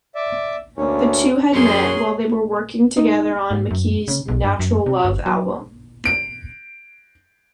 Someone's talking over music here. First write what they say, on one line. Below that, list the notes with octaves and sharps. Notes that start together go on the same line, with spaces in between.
The two had met while they were working together on McKee's "Natural Love" album.
D5 E5
D2 A#3 C#4 C#5
F#2 F#3 C#4 G#4 C#5 C6
D#4
G#2
F#2
C#3
B1
G2
F#2
C3
G1
F#3
D7